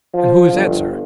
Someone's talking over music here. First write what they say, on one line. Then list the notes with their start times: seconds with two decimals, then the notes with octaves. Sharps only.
"And who is that, sir?"
0.14 F3
0.52 G1